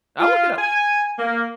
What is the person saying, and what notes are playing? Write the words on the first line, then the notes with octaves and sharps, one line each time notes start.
I'll look it up.
F4
G#5
A#3